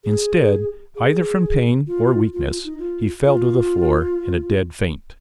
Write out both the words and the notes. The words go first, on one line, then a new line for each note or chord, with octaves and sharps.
Instead, either from pain or weakness, he fell to the floor in a dead faint.
G#4
G#4
F4
F4
F4
D#4
F4
F4